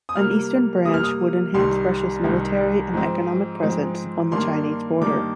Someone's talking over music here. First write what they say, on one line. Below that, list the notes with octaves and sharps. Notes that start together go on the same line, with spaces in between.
An eastern branch would enhance Russia's military and economic presence on the Chinese border.
D#6
C3 G3 A#3 F6
C3 G3 A#3 D#6
F6
D#6
C2 C3 D#3 G3 C6
C2 C3 D#3 G3
G#2 F3 G#3 C4
G#2 F3 G#3 C4
G2 D#3 A#3 D4 C6
G2 D#3 A#3 D4 D6